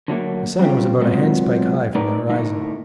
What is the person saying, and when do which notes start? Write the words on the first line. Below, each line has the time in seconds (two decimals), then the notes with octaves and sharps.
The sun was about a handspike high from the horizon.
0.08 D3 F#3 A3 A#3
0.59 G3 C4 C#4 F4 G4
1.01 F#3 G#3 A3 B3 C4 F4
1.95 A3 D#4 G4 A#4 B4 D5
2.30 A2 D3 A3 A#3 D#4 E4